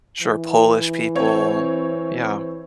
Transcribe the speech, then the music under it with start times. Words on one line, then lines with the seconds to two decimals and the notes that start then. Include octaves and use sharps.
Sure. Polish people. Yeah.
0.22 E3
1.15 C4 C#5